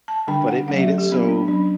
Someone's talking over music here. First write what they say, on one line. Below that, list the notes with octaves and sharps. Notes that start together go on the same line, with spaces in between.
but it made it so,
A5
D3 G3 D4 G5
F#5
F#3 A3 C#4 F#5
E5
A4
G4
F#3 B3 D4
D4
F#3 C#4 D4